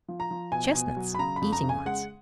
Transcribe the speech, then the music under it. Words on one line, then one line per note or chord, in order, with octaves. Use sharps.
"Chestnuts--eating ones."
F3
A#5
F3
B2 G#5
B2
F#3
B5
C#3 A#5
B5
F2
A#5
C#3
G#5
G#3 F#5